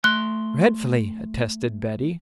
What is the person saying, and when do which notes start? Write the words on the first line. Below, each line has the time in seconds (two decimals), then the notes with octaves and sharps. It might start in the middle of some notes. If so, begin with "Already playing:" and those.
"Dreadfully," attested Betty.
0.04 A3 C6 F#6